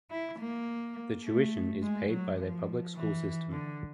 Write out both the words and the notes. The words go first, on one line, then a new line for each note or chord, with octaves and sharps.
The tuition is paid by their public school system.
E4
A#3
A3
G#3
F#3
F3
E3
D3